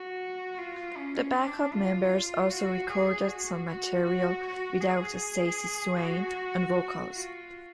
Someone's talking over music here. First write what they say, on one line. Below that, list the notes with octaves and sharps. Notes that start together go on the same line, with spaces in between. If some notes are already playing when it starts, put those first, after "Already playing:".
The backup members also recorded some material without Stacey Swain on vocals.
Already playing: F#4
F4
C#4
D4
F4
F#4
G#4
F#4
F#4
F#4
G#4
F#4
F4